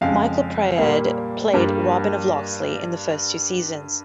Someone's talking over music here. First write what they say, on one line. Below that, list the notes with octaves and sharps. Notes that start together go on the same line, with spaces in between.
Michael Praed played Robin of Loxley in the first two seasons.
F2 C#3 G#3 F5
A#2 G3 A#3
G2 G3 A#3